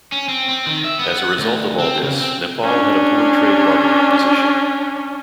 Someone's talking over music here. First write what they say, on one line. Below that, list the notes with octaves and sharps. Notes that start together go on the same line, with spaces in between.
As a result of all this, Nepal had a poor trade bargaining position.
C#4
C4
C4
D#3
E5
B3
F#5
D2
C4
C#3
C4
C#4 D4